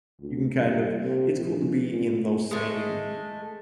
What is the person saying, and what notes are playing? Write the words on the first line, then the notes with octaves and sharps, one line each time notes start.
you can, kind of it's cool to be in those same
D2
G2
C3
A#1
A#2
G#3 A3